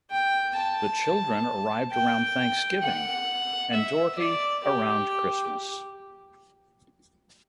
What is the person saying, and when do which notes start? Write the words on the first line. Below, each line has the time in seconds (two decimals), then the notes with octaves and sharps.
The children arrived around Thanksgiving and Doherty around Christmas.
0.10 G5
0.56 A5
1.92 G5
2.83 F#5
3.73 E5
4.18 D5
4.64 G4